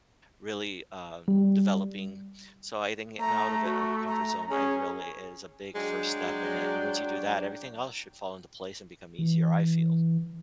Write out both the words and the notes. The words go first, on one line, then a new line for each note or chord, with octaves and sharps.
really, um, developing, so I think getting out of it- the comfort zone- I really is a big first step; and it and once you do that, everything else should fall into place and become easier, I feel.
G3
A3 A#5
F#4
A#5
C#4 G#4
F#3 G#3 D4 G5
E3